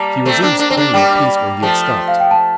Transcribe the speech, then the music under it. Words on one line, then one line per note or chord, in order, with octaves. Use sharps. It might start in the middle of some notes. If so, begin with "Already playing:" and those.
He resumes playing the piece where he has stopped.
Already playing: G3 A#3 A5 A#5
A3 C4
A#3 D4
A#3 D4
C4
A#3 D4
G3 A#3 G5
F3 A3 A5
F5
G5
A5